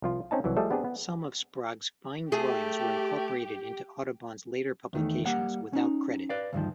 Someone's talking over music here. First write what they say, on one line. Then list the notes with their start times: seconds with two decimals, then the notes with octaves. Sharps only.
Some of Sprague's fine drawings were incorporated into Audubon's later publications, without credit.
0.02 C2 F3 F4
0.31 C4 C#4 D#4 A5
0.44 C2 E3 F#3
0.56 F3 G3 A3 G#4 A4 D#5
0.71 B3 C4 D4 G4 G#4
0.84 B3
2.32 A3 G4 G#4
4.93 E2 D#3 A3
5.26 G3 A#3 F#5
5.73 C#4 D#4
6.29 B4 D5 F5
6.53 D2 G2 D#3 F3